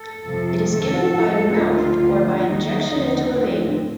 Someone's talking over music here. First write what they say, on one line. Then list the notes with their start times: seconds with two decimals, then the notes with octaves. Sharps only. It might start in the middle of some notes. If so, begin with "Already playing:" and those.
It is given by mouth or by injection into a vein.
Already playing: A4
0.23 F2 C3 F3
0.66 F2 D#3 A4
1.10 A2 F3
1.53 D2 D3 F3 F4
1.97 D2 D3 F3
2.40 D#2 D#3 D#4
2.85 D#2 D3 F3
3.28 A2 F3 C4